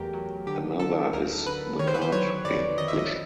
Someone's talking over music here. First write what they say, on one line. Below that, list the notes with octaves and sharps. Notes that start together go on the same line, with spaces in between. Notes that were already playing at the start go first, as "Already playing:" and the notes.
Another is the card game Flinch.
Already playing: E2 F#3 A3 G4 A#4
F#3
D3 G4
D3 A4
D2 A#4
D3 B4
D#3 C#5
C5
B4
C5
F#3 C#5
F2 D5
D#3 D#5
E5
D#5